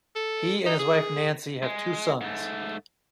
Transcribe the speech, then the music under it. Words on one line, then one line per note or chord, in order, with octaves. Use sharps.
He and his wife Nancy have two sons.
A4
D#4
G#4
G#3
G#2 A3